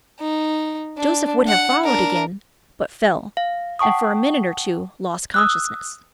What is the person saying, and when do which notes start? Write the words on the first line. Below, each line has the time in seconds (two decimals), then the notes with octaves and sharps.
Joseph would have followed again, but fell, and for a minute or two lost consciousness.
0.20 D#4
0.98 D4
1.48 F#5
1.84 D4 A#4
3.37 F5
3.79 F#5 G5 A5 C#6 D#6
5.34 D#6 E6 F#6